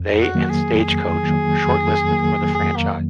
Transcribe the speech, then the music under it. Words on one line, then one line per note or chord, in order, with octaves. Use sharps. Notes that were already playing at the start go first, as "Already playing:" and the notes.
They and Stagecoach were shortlisted for the franchise.
Already playing: F2
F#4
D#3 F#3 A#3
G#4
F2 G#4
D#3 F#3 A#3
F2
D#3 F#3 A#3
F2 G#4
A#3